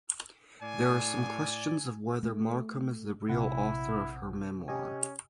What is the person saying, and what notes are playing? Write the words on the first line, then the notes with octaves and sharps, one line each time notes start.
There are some questions of whether Markham is the real author of her memoir.
A2 D5 G#5
A3
A#1 C3 E4 F#5
C#4 G4 D#5 G#5